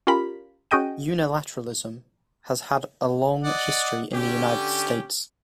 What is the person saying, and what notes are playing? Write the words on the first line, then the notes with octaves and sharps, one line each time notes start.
Unilateralism has had a long history in the United States.
C#4 F4 G4 A#4 B5
C#4 F#4 G#4 D#5 G5 D#7
D5 D#5 F#5
D3 C#4 G4